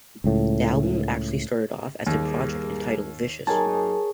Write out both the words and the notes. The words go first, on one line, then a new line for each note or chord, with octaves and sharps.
The album actually started off as a project entitled "Vicious".
C#2 A2
D#2 G3 A#3 G#4
F#3 A#3 D#4 G#4 A#4 C#5 G#5 A5